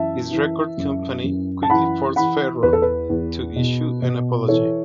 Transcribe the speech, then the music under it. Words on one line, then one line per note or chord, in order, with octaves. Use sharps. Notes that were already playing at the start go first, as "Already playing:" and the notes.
His record company quickly forced Ferro to issue an apology.
Already playing: F#2 E3 E5 A5
E3
F#2
F#2
A5
E3 F#5 B5
E3 F#5 B5
E2 B4
A4
B4
E2
B2
B2
E3 A4 C#5